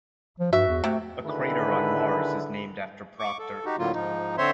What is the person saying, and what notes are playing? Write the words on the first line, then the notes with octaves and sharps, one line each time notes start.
A crater on Mars is named after Proctor.
F3
G2 F#4 E5
E2
C3 A3
D3 D#3 E4 G#4 B4
C#6 D6
A4
D#4 F#4 G4
A2 D3 F#3 A#3 F4
G#2 F3 D#4
D3 C4 C5 C#5 E5 C6